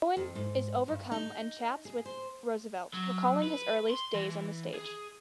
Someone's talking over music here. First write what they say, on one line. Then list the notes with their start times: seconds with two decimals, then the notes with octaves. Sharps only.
Cohan is overcome and chats with Roosevelt, recalling his early days on the stage.
0.17 F2
0.35 G#2
0.88 G2
1.12 D#4
1.85 G#4
2.06 C5
2.93 F#3
3.43 B4
3.90 C6
4.14 E3
4.74 G#4